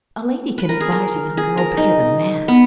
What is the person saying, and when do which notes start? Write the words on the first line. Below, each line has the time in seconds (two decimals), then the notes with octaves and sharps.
"A lady can advise a young girl better than a man."
0.58 B4
0.69 A#4
0.81 G#4
0.92 A#4
1.37 G#4
1.57 A#4
1.77 D#4
2.48 B3